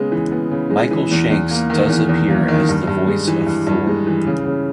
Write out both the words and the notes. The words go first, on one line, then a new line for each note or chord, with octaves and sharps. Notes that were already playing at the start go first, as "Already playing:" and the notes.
Michael Shanks does appear as the voice of Thor.
Already playing: C#3 G#3 B3
E3
B3
C#3
G#3
E3
E2
E2
A#3
D#3
E2
E2
A#3
D#3
G2
G2
G#3
E3
G2
G2
G#3
E3
C#3
C#3